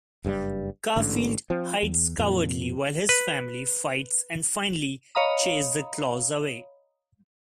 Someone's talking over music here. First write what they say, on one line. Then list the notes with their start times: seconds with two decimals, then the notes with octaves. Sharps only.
Garfield hides cowardly while his family fights and finally chase the Claws away.
0.25 F#1 G2 C3 G3
0.96 A1 G#2 D3
1.50 F3 C4
1.83 E2
2.18 F2 A#2
3.09 B4
5.15 C#5 D#5 F5 A#5 B5 D#6